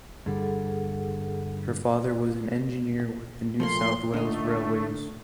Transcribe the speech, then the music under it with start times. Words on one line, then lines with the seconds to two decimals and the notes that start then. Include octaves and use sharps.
Her father was an engineer with the New South Wales railways.
0.26 G2 D3 G3 G#4 A4 F#5
3.60 A#2 F3 A3 A#3 C6
4.14 D3 A3 D#4